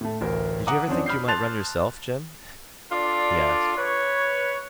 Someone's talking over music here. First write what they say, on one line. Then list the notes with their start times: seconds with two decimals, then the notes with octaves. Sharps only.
"Did you ever think you might run yourself, Jim?" he asked.
0.01 A2 A3
0.21 A1 D2 A#4
0.67 F#5 A#5 D6 D#6
0.88 F2 C#4 D4 C5
1.06 B5 F6 G6 C7
1.28 A5 C6 F#6 A6 F7
2.92 D4 F4 A4 D5
3.77 B4 C#5